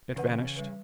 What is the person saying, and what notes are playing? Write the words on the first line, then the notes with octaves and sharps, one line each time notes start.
It vanished.
C#3 E3 B4 F#5
G3 B4